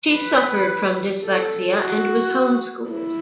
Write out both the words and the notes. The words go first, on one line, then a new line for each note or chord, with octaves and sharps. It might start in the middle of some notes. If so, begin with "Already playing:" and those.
She suffered from dyslexia and was home-schooled.
B4
A4
F#4
E4